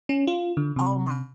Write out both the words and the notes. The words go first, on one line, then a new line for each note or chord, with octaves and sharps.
Oh my
C#4
F4
D3
C3